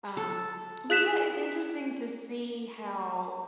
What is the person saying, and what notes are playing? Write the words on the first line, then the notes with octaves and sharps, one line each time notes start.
Um, but, yeah, it's interesting to see how
A4
G#4 F#6 B6 E7